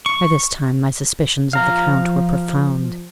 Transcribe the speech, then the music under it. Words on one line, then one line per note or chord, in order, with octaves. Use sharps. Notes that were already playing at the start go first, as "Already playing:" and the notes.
By this time my suspicions of the Count were profound.
C#6
F3 F5 A#5